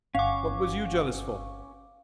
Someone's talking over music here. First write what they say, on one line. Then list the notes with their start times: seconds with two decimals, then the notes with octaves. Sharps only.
What was you jealous for?
0.15 G1 C#4 F5 F#5 G#5 C#6 D6